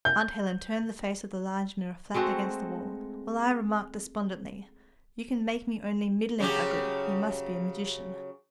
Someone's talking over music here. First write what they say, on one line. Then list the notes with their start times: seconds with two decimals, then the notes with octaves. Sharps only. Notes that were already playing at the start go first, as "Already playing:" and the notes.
Aunt Helen turned the face of the large mirror flat against the wall, while I remarked despondently, "you can make me only middling ugly, you must be a magician."
0.05 G6
2.15 G#3 A3 C4 F#4
6.40 C#3 F#3 G4